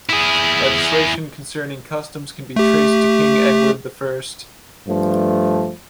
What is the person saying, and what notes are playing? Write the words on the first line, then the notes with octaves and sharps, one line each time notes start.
Legislation concerning customs can be traced to King Edward the First.
E4 G#4
A3 G4
G2 F3 A3